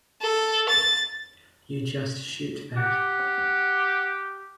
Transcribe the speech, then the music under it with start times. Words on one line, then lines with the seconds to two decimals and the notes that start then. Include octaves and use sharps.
You just shoot that.
0.21 A4
0.69 A6
2.77 G4 F#5